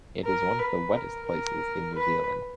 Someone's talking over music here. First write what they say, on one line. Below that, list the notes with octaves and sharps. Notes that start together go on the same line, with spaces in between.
It is one of the wettest places in New Zealand.
A#4
B4
A#4
A#4
B4